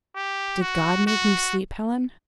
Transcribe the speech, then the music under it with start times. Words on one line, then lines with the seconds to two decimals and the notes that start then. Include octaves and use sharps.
"Did God make me sleep, Helen?"
0.16 G4
0.61 F#4
1.07 F#4